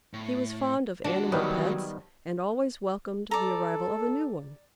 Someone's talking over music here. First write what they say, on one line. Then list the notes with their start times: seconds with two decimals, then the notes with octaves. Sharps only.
He was fond of animal pets, and always welcomed the arrival of a new one.
0.13 A2
1.04 D#2 D4 F#4
1.32 D#3 F#3 G3 B3
3.31 A4 D5 A#5